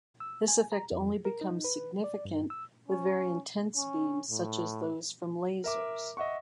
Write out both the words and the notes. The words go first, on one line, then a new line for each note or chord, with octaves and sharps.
This effect only becomes significant with very intense beams such as those from lasers.
E6
G#5
A#5
F2
A#4
D#4
B4
D5
G2
E6
C#4
C#4
A2
A#4 E5 D6
D#5 E5 F#5 C#6